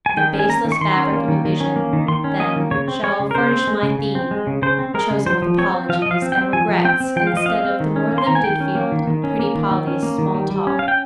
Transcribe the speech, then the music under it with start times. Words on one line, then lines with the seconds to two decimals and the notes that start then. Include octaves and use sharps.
The baseless fabric of a vision, then, shall furnish my theme--chosen with apologies and regrets instead of the more limited field of pretty Polly's small talk.
0.06 G#5
0.17 D#3 G5
0.33 C#4
0.39 G#5
0.49 A#3 A#5
0.65 D#3
0.72 C#6
0.81 D#3 C6
0.96 C#4
1.13 A#3
1.28 D#3
1.45 D#3
1.60 C#4
1.76 A#3
1.93 D#3
2.08 D#3 C6
2.24 C#4
2.40 A#3 D#5
2.56 D#3
2.71 C#3 C#5
2.88 C4
3.03 G#3 C#5
3.20 C#3
3.31 A#4
3.35 C#3 C5
3.52 C4
3.67 G#3
3.83 C#3
3.99 C#3
4.15 C4
4.31 G#3
4.47 C#3
4.62 C#3 C5
4.79 C4
4.94 G#3 A#4
5.10 C#3
5.26 F3 C5
5.42 F3
5.58 C4 C#5
5.74 C4
5.89 F3 F5
6.02 D#5
6.06 F3 F5
6.22 C4
6.32 G5
6.38 C4
6.53 F3 G#5
6.69 F3
6.85 C4 G5
7.00 C4
7.16 F3 G5
7.27 F5
7.33 F3 D#5
7.46 C4 F5
7.65 C4
7.80 D#3
7.96 C#4
8.12 A#3
8.18 C6
8.27 D#3 A#5
8.35 G#5
8.44 D#3 G5
8.61 C#4
8.75 A#3
8.92 D#3
9.07 D#3
9.24 C#4
9.39 A#3
9.55 D#3
9.71 D#3
9.87 C#4
10.03 A#3
10.18 D#3
10.34 G3
10.50 G3
10.67 C#4
10.79 C#4 F5
10.88 G5